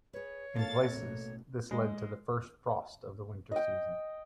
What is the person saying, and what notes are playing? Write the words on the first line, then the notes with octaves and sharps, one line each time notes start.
In places, this led to the first frost of the winter season.
G#4 B4 C#5
A#3 A4 F5 A5 A6
A1 B2
G#3
D#5 G5